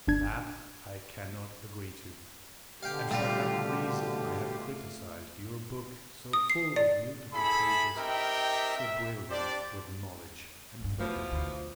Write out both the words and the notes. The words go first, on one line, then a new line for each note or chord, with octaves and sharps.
That I cannot agree to; and for that reason I have criticised your book, so full of beautiful pages, so brilliant with knowledge and fervor!
G1 D4 G#6
B2 D3 G4 F5 G5
A#2 G3 A3 F4
D#6
C7
D5
E4 G#4 A4 B5
C4 D#4 G4 A#4 E5 G5
E5
D4 G4 C5 D5
G2 A3
B2 E3 F3 A3
E2
D2